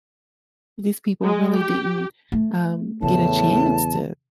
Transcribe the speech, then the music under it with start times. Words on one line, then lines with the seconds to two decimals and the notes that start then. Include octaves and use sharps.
these people really didn't, um, get a chance to
1.21 G#3
1.56 G4
2.32 A3
3.02 E2 A2 C#3 A5